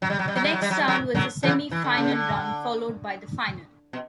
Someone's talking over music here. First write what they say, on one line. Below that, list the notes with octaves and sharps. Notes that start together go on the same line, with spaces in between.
The next round was the semifinal round, followed by the final.
F#3
G3
F#3
G3
F#3
G3
F#3
G3
F#3
G3
D3 F#3
D3 F#3
C#3 E3
E3
D3
C#3
D3
B2